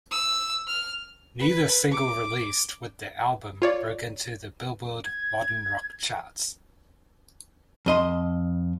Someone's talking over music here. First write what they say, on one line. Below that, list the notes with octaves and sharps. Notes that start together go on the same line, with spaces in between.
Neither single released with the album broke into the "Billboard" Modern Rock charts.
E6
F6
B4
D6
F4 C#5 D5
G#6
F2 D#5 C6